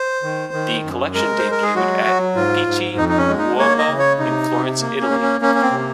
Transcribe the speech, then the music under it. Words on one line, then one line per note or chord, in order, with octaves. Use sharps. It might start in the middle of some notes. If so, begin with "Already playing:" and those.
The collection debuted at Pitti Uomo in Florence, Italy.
Already playing: C5
D#3
D#3
F#2
G#3 A#4
C5
G#3
A#4
G#4
F#3 F#4
F#3
G#2 F4
G#2
F2 D#4
D#4
C#4
G#3
D#4
A#3 C#5
D#5
C#3
C#5
C3 D#4
C3
A#3
C#4
A#3
C#4
A#3 C#4
C#4
C4
C3